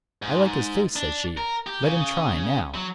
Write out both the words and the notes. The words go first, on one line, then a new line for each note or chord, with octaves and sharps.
"I like his face," said she; "let him try, now."
G#2
D4
A#4
G4
C#3
F#3